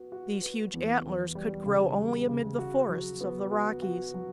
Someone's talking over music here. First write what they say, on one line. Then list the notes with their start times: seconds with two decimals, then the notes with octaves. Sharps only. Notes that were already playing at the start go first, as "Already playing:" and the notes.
These huge antlers could grow only amid the forests of the Rockies.
Already playing: B3 F#4
0.12 F#4
0.42 B4
0.74 E2
1.04 E2
1.35 G3
1.66 C#3
1.98 G3
2.28 C#3
2.58 F#4
2.89 F#3
3.21 B3
3.51 F#4
3.82 F#4
4.14 F#3